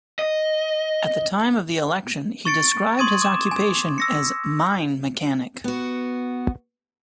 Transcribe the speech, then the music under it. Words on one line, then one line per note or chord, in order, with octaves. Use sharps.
At the time of the election, he described his occupation as "mine mechanic".
D#5
C#6 A6 C#7 D7
C6 C#6 D#6 G#6 D#7
D6 E7
G#5
E6 A#6 C#7
B3 F#4